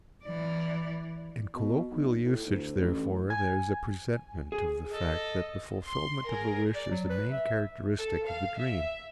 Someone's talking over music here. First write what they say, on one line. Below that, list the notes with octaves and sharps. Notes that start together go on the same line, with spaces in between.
In colloquial usage, therefore, there is a presentment of the fact that the fulfillment of a wish is a main characteristic of the dream.
E3 D5
B2
B1
A2
D2
A1
G#5
G#4
A4 D#5
C6
G#4 A#4
D5
F#3
B4
E5
A4
F5
E5